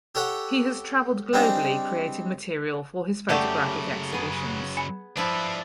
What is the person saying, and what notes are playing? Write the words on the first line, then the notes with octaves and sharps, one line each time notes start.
He has traveled globally creating material for his photographic exhibitions.
G4 A4 C#5 F#5 G5
G3 C4 D4 D#4 G#4
F#2 C#3 A3 G4 D5 F#5 C#6
B3 G#4
G#5 B5
F3 D4 E4 B4